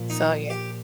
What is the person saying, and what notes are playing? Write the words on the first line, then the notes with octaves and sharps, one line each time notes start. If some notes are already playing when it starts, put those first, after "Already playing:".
so yeah.
Already playing: A#2 F3
D#4
G4